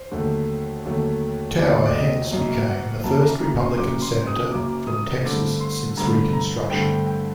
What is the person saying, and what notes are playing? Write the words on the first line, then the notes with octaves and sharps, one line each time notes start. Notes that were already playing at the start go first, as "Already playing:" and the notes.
Tower hence became the first Republican senator from Texas since Reconstruction.
Already playing: C5
D#2 D3 F#3 A3
D#2 D3 F#3 A3
D#2 D3 F#3 A3 D5
C5
D5
D#5
F#1 F#2 F#3 A#3 D#5
F#5
F#1 F#2 F#3 A#3 A5
A#5
A#5
C6
F#1 F#2 F#3 A#3 D6
C6
D#6
F#1 F#2 F#3 A#3 D6
D#6
G2 D3 A3 C4 D6
C6
G2 D3 A3 C4 A#5
A#5
G2 D3 A3 C4 G5
G5
G5